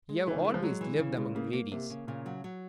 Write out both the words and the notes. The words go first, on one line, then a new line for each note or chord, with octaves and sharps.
You have always lived among ladies.
G#3
C#3 E3
D#3
E3 G#3
F3
F#3 G#3
E3
C#3
G#3
C#3 A#3
A#3
C3 A#3
C#3
A#2 C#3
F#3
F#3